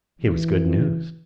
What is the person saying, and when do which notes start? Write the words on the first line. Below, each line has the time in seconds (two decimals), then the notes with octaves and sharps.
It was good news.
0.22 E3